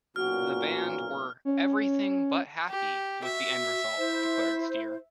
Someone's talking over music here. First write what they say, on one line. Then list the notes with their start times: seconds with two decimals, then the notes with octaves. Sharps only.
The band were "everything but happy" with the end result, declared Steer.
0.16 B1 F#2 A#2 F#4 F6
1.45 C#4
2.69 G4
3.24 F#4 E5
3.98 E4 C5